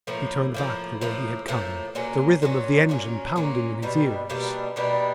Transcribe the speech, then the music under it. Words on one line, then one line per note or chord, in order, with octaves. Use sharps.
He turned back the way he had come, the rhythm of the engine pounding in his ears.
A2 F3 A#3
A2 F3 A#3
A2 F3 A#3
A2 F3 A#3
A#2 F#3 A#3 C#4
A#2 F#3 A#3 C#4
A#2 F#3 A#3 C#4
A#2 F#3 A#3 C#4
B2 G3 A#3 D4
B2 G3 A#3 D4
B2 G3 A#3 D4